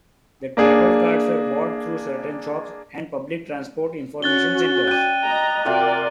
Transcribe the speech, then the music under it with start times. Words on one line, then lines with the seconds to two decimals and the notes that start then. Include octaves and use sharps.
The travel cards were bought through certain shops and Public Transport Information Centres.
0.57 A#3 D4 G#4
4.22 C#4 F#4 F#6 A6 G7
4.88 D5 G5 F#6 D#7
5.26 D#5 A#5
5.65 C3 F4 F#4 A#4 D5